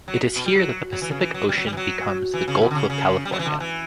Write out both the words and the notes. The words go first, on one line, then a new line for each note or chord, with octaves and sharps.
It is here that the Pacific Ocean becomes the Gulf of California.
F#3
B2
G3
F#3
F#3
E3
C#3
E3
F#3
G3
F#3
G3
E3
F#3
E3
C#3
B2
D3
C#3
C#3
G3
F#3
E3
D3
E3